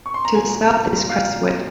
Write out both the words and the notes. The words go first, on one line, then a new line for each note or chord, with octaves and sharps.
To the south is Crestwood.
C#6
C6
A#5
A#2 G#5
A#2
A#5
A#2
A#2 F5
A#2